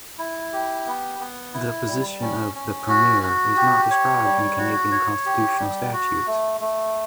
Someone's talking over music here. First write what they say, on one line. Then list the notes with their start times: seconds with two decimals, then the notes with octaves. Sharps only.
The position of the Premier is not described in Canadian constitutional statutes.
0.19 E4
0.53 G4
0.86 B3
1.20 B3
1.54 E4
1.88 G3
2.21 C#4
2.55 C#4
2.89 F#4
3.22 F#4
3.56 G4
3.90 C#5
4.25 G3
4.58 F#4
4.91 C#5
5.26 G4
5.60 G3
5.93 F#4
6.27 A3
6.61 A3